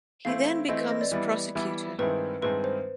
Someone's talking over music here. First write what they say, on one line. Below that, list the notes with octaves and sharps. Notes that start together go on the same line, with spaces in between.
He then becomes prosecutor.
E3 A3 C4 E4 F5
E3 A3 C4 E4 D#5
B4
D#5
D5
E3 G3 B3 E4
E3 G3 B3 E4
G2 D#3 G#3 C4 E4 B4
G2 D#3 G#3 C4 E4 B4
C5